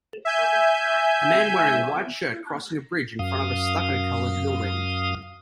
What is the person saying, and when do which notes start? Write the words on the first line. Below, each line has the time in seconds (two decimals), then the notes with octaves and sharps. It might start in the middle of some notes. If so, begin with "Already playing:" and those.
A man wearing a white shirt crossing a bridge in front of a stucco colored building.
0.25 E5 G#5 G6
3.19 F#2 F5 D#6